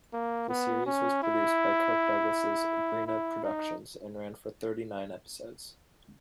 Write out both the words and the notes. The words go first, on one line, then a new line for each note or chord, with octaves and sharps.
The series was produced by Kirk Douglas' Bryna Productions and ran for thirty-nine episodes.
A#3
B3
C#4
E4
E4
D#4